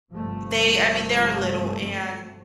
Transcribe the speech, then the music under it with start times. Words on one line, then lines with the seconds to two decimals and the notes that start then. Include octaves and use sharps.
they I mean, they're little and
0.11 G1 G2 C3 F3 A3